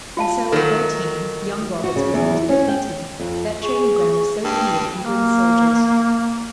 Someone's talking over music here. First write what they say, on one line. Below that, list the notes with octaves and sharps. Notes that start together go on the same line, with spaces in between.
And so at thirteen, young Roberts was entered at Eton, that training ground of so many of England's soldiers.
F4 F5 A5
D#3 F#3 A4
F#4
C#3
E2
C#4
G5
F2
G#4 C#6
G2 G5
A#3